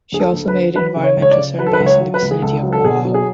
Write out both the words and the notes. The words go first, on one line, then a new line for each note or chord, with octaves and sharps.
She also made environmental surveys in the vicinity of Oahu.
D2 G#4
A4
D2
B4
D3
F#3 B4
C#3
C#5
C#2
C#5
D5
C#3
F#3 B4
A4
B4
C#2
C#5
F#3
B4
C#2
G#4
C#2 A4
F#3
A4
B2 G#4
F#3
G#4